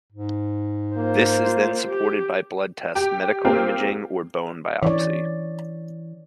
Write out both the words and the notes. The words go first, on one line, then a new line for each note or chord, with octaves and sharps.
This is then supported by blood tests, medical imaging, or bone biopsy.
G#2
A#3 F4 C5
G4
G4
A#3 C4 F4 G4 A#4
E3 C#5 D5